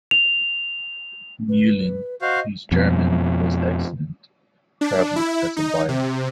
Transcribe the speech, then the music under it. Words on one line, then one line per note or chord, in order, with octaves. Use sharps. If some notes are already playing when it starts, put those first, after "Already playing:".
Meulen, whose German was excellent, travelled as a buyer.
F7
B4
F#4 C5 D#5 F5
F2 B2
D4
E4
D#4
C3